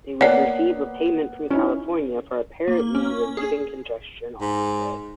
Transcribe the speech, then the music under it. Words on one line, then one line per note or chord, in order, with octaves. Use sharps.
They would receive a payment from California for apparently relieving congestion on the grid.
A#3 B3 C#5 D5 F#5
C#4 D#4 E4
A#3
C#4
G#4
G#2